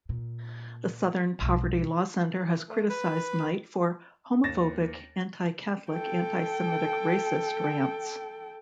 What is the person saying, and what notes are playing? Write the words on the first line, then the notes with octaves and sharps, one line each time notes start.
The Southern Poverty Law Center has criticized Knight for "homophobic, anti-Catholic, anti-Semitic racist rants".
A#2
B1 G3
A3
B4
D#2 A6 A#6 E7
A4 G5